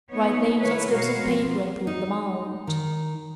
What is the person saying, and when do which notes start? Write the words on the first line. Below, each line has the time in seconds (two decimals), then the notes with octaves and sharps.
Write names on slips of paper and pull them out.
0.12 B3 D#4 C#5
0.59 D#3 A3 E4 B4 C#5
0.90 B2 G#3 F#4 A#4 C#5 F5
1.22 F3 C4 F4
1.87 D#4
2.67 D#3